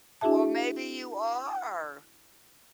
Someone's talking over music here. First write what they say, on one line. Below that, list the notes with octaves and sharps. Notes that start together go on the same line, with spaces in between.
Well, maybe you are.
D4 E4 F#4 G#4 E5 A5